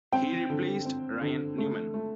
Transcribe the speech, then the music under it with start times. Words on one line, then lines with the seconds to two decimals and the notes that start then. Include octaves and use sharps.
He replaced Ryan Newman.
0.12 C4 G5
0.50 D3
0.85 C4
1.21 D3
1.58 A3
1.94 A3